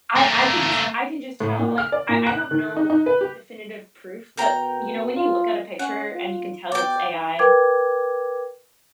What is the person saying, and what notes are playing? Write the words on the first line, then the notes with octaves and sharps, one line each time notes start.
I I could just I can just tell, uh, like, I I have no definitive proof, but, you know, when you look at a picture and you can tell it's AI
A3 A#3
A2
A#2
F6
D5
A#2
F#6
D#3
D#4
D#4
B4
G4
B2 A#4 G5 A#5
F4
C#4 F#5
F4
B2 D5 G5
A#4 B4 G5 D6 G#6